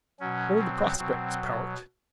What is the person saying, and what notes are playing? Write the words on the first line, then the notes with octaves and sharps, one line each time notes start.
"What are the prospects, Powart?"
B2 F#3 C#4
C4
B2 F#3 C4